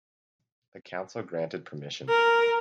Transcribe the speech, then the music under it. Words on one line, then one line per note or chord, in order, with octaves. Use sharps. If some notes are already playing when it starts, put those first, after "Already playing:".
The council granted permission.
A#4